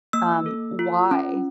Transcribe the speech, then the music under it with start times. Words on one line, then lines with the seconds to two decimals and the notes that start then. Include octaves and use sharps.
um, "Why?"
0.13 A#3 E6
0.46 A4
0.79 F4
1.11 C#4